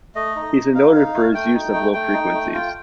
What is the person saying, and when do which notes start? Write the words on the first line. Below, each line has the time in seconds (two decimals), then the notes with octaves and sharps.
He's been noted for his use of low frequencies.
0.15 A3 D#5
0.36 D#4
0.55 D#4
0.74 D#4 F5
0.95 D#4
1.14 A3
1.34 A3 G5
1.54 D#4
1.74 A3
1.94 A3 G5
2.13 D#4
2.34 A3
2.54 F4 G5